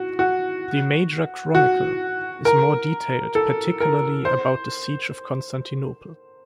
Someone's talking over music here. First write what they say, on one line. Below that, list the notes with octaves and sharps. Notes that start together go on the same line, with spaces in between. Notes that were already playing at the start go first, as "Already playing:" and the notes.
The "Major Chronicle" is more detailed particularly about the siege of Constantinople.
Already playing: F#4
F#4
F#4
A#4
A4
A#4
C5